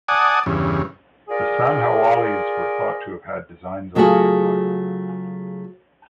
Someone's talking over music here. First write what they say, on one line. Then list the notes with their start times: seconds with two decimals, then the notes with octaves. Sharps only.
The Sandhawalias were thought to have also had designs on the empire.
0.08 D5 F#5 G#5 A5 D#6
0.46 E2 G2 C#3
1.29 F4 G#4 A#4 D5
3.95 C#3 F#3 A3 F4 F#4 G#4